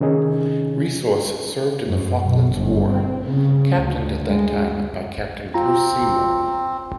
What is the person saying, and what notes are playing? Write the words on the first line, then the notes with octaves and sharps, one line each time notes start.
"Resource" served in the Falklands War, captained at that time by Captain Bruce Seymour.
C3 D#3 C#4 D#4 G#4
F#2
B1
G1
C4
C#3
D2
G#3
C4 F4 A#5